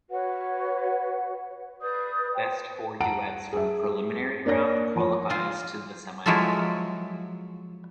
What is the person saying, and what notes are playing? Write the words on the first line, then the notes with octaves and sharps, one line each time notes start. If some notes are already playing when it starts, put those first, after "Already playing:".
Best four duets from preliminary round qualifies to the semifinal.
F#4 B4 C#5 F#5
B4 D5 D#6 G6
C5 G5
F#5 A5 A#5 D7
G#4 E5
A#3 D4 C#5 A#6
F3 C#5
F4 C6
F3 F#3 G#3 E4 F4 A4